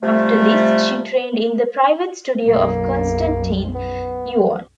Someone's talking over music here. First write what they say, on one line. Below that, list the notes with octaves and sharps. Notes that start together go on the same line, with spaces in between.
After this, she trained in the private studio of Konstantin Yuon.
C3 F3 G3 A3
B1 F#2 A#3
B3